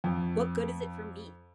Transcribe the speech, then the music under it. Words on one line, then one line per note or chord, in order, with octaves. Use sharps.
What good is it for me?
F2